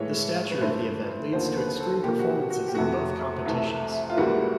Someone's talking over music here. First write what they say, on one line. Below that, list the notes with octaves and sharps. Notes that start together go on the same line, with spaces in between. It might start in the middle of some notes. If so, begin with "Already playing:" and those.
The stature of the event leads to extreme performances in both competitions.
Already playing: A2 E3 G#3 C#5
B4
G2 E3 A3 C5
D#2 D3 F3 A#3 C5
B4
A4
A#2 F3 A#3 G4
F#4
G4
F#4
G4
F2 C3 E3 A3 F#4
C2 C3 E3 A3
F4
C#2 C#3 E3 G3 A#3 F#4